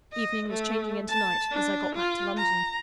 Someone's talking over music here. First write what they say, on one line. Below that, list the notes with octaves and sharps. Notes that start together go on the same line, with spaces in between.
Evening was changing into night as I got back to London.
D#5
A3
A5
D4
F4
A#5